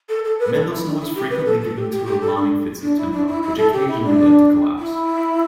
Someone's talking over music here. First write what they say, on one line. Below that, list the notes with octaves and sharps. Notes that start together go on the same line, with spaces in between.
Mendelssohn was frequently given to alarming fits of temper which occasionally led to collapse.
A4
A4
B4
A4
E4
D4
E4
G4
B4
A4
A4
G4
G4
G4
A4
D4
D4
E4
D4
E4
E4
A4
G4
E4
D4
E4